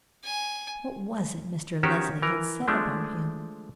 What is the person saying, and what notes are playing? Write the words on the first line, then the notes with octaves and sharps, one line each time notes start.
What was it Mr. Leslie had said about him?
G#5
D#3 C#4 F#4 G4 C5
E3 A#4
F3 G#3 A3 D4